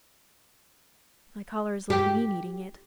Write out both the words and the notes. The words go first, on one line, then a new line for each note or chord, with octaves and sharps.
My caller has left me needing it.
G4